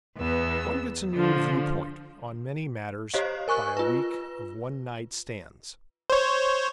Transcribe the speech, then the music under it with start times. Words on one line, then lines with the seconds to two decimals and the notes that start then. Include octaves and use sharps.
One gets a new viewpoint on many matters by a week of one-night stands.
0.17 E2 B3 E6
1.14 D3 F3
3.14 G4 C5 C#5 D#5 F5
3.48 A#4 G#5 C#6 F#6
3.77 F4 B4
6.10 C5 C#5